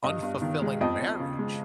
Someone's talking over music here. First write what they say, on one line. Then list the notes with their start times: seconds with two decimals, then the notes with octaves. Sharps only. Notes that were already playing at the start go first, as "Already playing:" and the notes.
unfulfilling marriage
0.04 G2 D#5
0.23 G2
0.42 D#3
0.62 G#3
0.81 F2 D#5 G5
1.00 F2
1.20 C#3
1.39 G#3